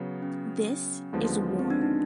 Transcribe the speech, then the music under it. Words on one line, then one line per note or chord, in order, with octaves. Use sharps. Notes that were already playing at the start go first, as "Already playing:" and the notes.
This is war!
Already playing: C#3 F#3 B3
C#4
D#2 D3 F3 G#3 B3
C4
D4
D#4